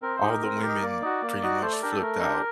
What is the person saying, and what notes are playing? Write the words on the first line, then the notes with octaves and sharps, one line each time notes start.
All the women pretty much flipped out,
C4 A#4
C5
D#4 G4
A#4
C4
D#4 G4
A#3 D5
D#4 F#4
A#3
D#4 F#4
A3 C5
D5
D4 G4 A#4
A4
A3 A#4
D4 G4